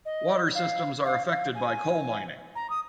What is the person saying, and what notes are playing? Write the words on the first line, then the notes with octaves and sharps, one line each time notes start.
Water systems are affected by coal mining.
D#5
F5
F5
F5
G#5
A#5
D#6